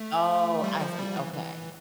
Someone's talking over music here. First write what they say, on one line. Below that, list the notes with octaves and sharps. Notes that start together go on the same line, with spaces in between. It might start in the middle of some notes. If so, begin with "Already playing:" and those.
Oh, I see, okay.
Already playing: A3
G3
F3
G3
E3
E3